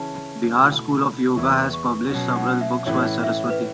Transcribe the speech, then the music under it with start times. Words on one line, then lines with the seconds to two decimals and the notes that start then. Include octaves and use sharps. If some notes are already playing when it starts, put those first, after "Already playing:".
Bihar School of Yoga has published several books by Saraswati.
Already playing: C#3 E3 C#4 E4 A5
0.61 B2 A3 E4 B5
0.98 B5
1.36 E2 E3 B3 E4 C#6
1.73 C#6
2.11 B2 F#3 C#4
2.36 F#5
2.61 E5
2.86 A2 E3 C#4 C#5
3.23 E5
3.50 B4